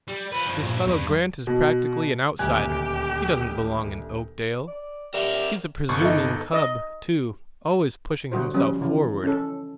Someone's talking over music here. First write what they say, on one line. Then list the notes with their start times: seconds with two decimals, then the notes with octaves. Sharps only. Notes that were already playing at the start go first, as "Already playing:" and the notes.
This fellow Grant is practically an outsider; he doesn't belong in Oakdale. He's a presuming cub, too--always pushing himself forward.
0.08 G3
0.32 F3 B4
0.45 G2 F3
0.63 A#2
0.87 E2 G2
1.47 B2
2.39 D#1 D2 G4 G#5 F#6
4.68 D5
5.14 G4 A#4 D5 E5 F#5
5.89 G1 C#6
6.02 D#4 A4
6.53 D#5
8.32 D3 G3 F#4 C5
8.54 F3 G3 C#4
8.81 C#3 E3
9.24 C#4 A4